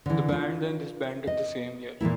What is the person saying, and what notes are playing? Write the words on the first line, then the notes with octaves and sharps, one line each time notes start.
The band then disbanded the same year.
D3 E3
D4 F4
D#5
A#2 E3 A#3 E4